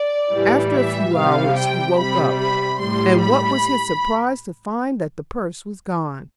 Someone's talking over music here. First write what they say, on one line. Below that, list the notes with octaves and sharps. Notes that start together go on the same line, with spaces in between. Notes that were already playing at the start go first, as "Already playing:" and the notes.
After a few hours he woke up, and what was his surprise to find that the purse was gone!
Already playing: D5
A2 E3 G3
E5
C3 G3 F5
G5
C3 G3 B5
B5
A2 G3 C6
B5